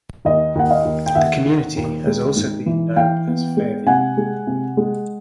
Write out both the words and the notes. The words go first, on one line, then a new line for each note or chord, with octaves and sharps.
The community has also been known as Fairview.
D#2 D#5
D#2 F#5
D#5 F5
D#2
G5
D#2 E5 F#5
D#3
D#2
G#3
G#2
E3
E3 F5 G5
B3
G#3
C3 F#5 G#5
G#3
C3
G#3